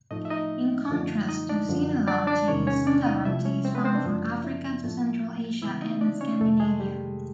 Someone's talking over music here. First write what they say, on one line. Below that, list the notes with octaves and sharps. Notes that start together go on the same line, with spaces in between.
In contrast to sinodonty, sundadonty is found from Africa to Central Asia and Scandinavia.
A2 F3 A3 D#4 D#5
E5
D#4 D#5
F#2 D3 F3 A3
D#4 D#5
D4 D5
F#2 D3 F3
D4 D5
D4 D5
E2 C3 D#3 G#3 C#4 C#5
C#4 C#5
D4 D5
D#4 D#5
C3 F3 A3 E4 E5
C#4 C#5
C4 C5
B3 B4
C4 C5
D4 D5
F#2 C#3 F3 A#3
E4 E5
A2 F3 A3
C#3 E3 G#3 B3 E4 E5
D#4 D#5
D4 D5
C#4 C#5
F2 C3 D#3 A3 A4
G#3 G#4
G3 G4